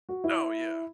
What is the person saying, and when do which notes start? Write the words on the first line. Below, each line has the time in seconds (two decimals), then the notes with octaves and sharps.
Oh, yeah,
0.09 F#4
0.24 E4